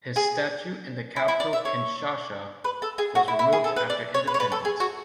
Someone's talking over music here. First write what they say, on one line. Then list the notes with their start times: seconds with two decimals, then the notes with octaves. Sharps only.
His statue in the capital Kinshasa was removed after independence.
0.16 G#4
1.16 E4
1.28 E4
1.40 D5
1.53 E5
1.65 C#5
2.64 B4
2.82 A4
2.98 G#4
3.15 F#4
3.28 E4
3.39 E4
3.53 G#4
3.64 A4
3.76 B4
3.90 D5
4.14 C#5
4.27 B4
4.34 C#5
4.40 B4
4.52 A4
4.65 G#4
4.80 F#4